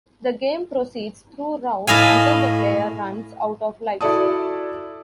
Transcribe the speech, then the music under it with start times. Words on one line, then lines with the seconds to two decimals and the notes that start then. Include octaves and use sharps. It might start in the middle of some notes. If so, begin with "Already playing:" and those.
The game proceeds through rounds until the player runs out of lives.
1.87 A2 D#5 F5 G#5
4.01 E4 F#4 A4 D5 A5 D#6